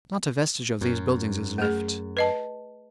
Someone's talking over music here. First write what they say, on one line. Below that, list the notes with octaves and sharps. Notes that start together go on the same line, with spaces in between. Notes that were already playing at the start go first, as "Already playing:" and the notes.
Not a vestige of these buildings is left.
F#2
A3 G#4
B4 D#5 A5